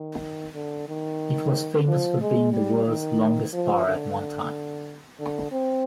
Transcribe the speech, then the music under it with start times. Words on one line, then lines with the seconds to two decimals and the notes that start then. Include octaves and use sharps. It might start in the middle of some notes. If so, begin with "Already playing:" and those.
It was famous for being the world's longest bar at one time.
Already playing: D#3
0.55 D3
0.88 D#3
1.88 F3
2.21 G#3
2.53 G3
2.87 D#3
3.53 F3
3.86 D3
5.19 D3
5.51 C4